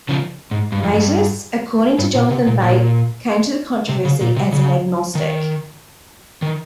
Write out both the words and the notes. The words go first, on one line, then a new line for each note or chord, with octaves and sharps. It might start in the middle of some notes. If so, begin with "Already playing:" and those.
Matus, according to Jonathan Bate, came to the controversy as an agnostic.
C#3 F3
G#2
G2
F2
G2
G2
A#2
C3
A#2
A#2
C3
C#3
A#2
C3
C#3
D#3
D#3